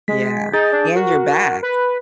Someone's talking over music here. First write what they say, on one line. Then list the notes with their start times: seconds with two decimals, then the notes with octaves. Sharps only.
Yeah, and your back.
0.08 G#3 B6
0.53 D#4 G#4 G6 A6
0.72 D4
0.96 F#4 A#4
1.63 B4